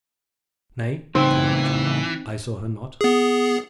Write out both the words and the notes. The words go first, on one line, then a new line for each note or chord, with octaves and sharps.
"Nay," returned Matcham, "I saw her not."
A2 C#3 E3 C4 D#4
B3 G#4